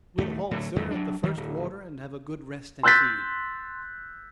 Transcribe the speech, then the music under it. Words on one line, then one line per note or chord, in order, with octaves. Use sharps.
"We'll halt, sir, at the first water, and have a good rest and feed."
D#1 D#2 A3
A2 D3 F#3
E2 G2 D#3 F#3
F#3 D4
D#3
D1
C6 E6 F#6 G6 A6 B6